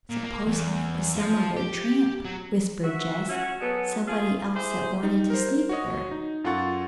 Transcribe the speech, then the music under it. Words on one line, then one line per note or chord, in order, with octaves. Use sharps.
"Supposing it was some other tramp," whispered Jess, "somebody else that wanted to sleep here!"
A#2
A#3
E2
F3
G4
F#3
F#4 E5
C#4 F#4
F#3 G#3 B3 A4
F4 G#4
E4 G4 G#4 C5
G3 D#4
A#4 C5
F#4 C#5 D#5
D#4
F#2 F4 A4 F#5 C#6 A6